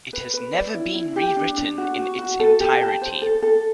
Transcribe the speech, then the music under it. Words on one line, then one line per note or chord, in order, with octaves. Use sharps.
It has never been rewritten in its entirety.
B4
B4
D5
E4
E4
G4
D4
D4
F#4
F#4
F#4
A4
G4
A5
C5
A4
A4